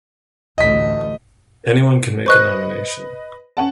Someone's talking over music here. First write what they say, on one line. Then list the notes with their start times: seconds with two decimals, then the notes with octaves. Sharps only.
Anyone can make a nomination.
0.58 A1 D2 A3 D#5 B6
2.26 B4 C5 D#5 C#6 F#6
3.57 C#4 F#5 A5